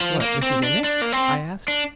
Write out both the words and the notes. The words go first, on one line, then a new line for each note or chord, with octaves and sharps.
"What, Mrs. Innitt?" I asked.
F3
A#3
C4
D4
D4
A#3
C4
D4